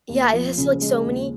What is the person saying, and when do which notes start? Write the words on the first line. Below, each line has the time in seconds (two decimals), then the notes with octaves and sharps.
Yeah, it has, like, so many
0.09 D#2
0.33 F3
0.58 C#3
0.81 G#3
1.05 D#2